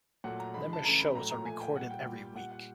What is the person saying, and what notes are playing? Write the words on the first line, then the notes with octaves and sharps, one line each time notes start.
Numerous shows are recorded every week.
A#2 F#3 A3 F#5
A#5
D3 F3 G#3 B5
A5
C#3 E3 A3 A#5
B5
A2 F#3 A3 A#5
A#5
A#2 F3 A3 G#5
G5
A#2 G3 F#5
G5
A#2 G3
A#2 G3 F#5
F#5